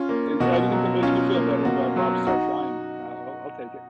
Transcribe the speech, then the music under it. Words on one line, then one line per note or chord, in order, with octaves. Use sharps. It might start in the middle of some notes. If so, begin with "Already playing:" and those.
a anything that makes me feel better about Rob Stark dying, I'll I'll I'll take it.
Already playing: C#4 F4
A#3
B2 F#4
F#3
C#4 F4
A#3
B2 F#4
F#3
D#4 F#4